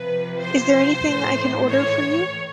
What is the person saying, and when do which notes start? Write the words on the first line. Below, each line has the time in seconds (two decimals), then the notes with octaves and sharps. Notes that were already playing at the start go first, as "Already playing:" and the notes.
Is there anything I can order for you?
Already playing: C3 F3 B4
0.41 C5
1.04 A2 E3
1.68 C#5